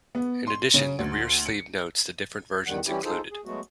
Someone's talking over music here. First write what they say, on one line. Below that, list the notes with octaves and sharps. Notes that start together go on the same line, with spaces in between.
In addition, the rear sleeve notes the different versions included.
B3
C6
C#3
D2
C#7
E2 D#3 G3 F#5
E3 G3 C#4 E4 G4
D#4 F4 G#4 A4 C5
G#4
F#3 G#3 A3 B3 F#4